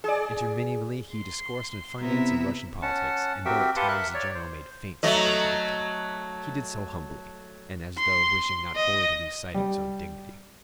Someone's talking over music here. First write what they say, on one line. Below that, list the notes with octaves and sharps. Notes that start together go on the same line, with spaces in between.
Interminably he discoursed on finance and Russian politics, and though, at times, the General made feints to contradict him, he did so humbly, and as though wishing not wholly to lose sight of his own dignity.
G#4 D5
C6
C3 B3 E4 E5 A#5
C#4 F#5 A5
C4 F#4 G4 A#4 E5 G5
G4 B4 F5 F#5 A5 C6
A#4 E5 F#6
C#5 D5
C5
F#3 A3 D#5
C6
D#5
G3